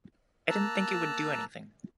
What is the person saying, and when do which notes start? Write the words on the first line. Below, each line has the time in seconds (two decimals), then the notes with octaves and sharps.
I didn't think it would do anything.
0.49 A#3 A5 A#5 E6 F#6